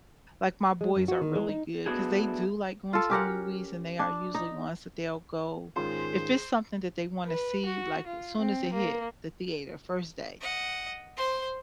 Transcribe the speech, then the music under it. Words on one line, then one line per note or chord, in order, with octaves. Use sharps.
Like, my boys are really good 'cause they do like going to the movies and they are usually ones that they'll go. If it's something that they want to see like soon as it hit the theater, first day,
G#3
F#2
F#4
D#3
G#3
D#4
A3 B3 D4 E4 F#4 G#4
F4 A4
C#4 G4 A#4 F#5
D4
D#4
G#2 D#3 C#4 F4 G#4 C5 C6
B4
F#4
F4
C4
A#3
D#5 F#5
C5 C6